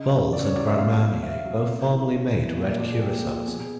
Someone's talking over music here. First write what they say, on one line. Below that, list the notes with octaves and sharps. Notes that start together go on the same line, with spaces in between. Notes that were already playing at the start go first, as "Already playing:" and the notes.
Bols and Grand Marnier both formerly made red curacaos.
Already playing: C#3 D#5
F#3
C#3 D5
C#5
F#3 D5
E5
B2 F5
F#3
B2 E5
F#3
C3
E3
C3
E3
A#2
D5
F3 D5
G#4
A#2 G4
F3
B2 G#4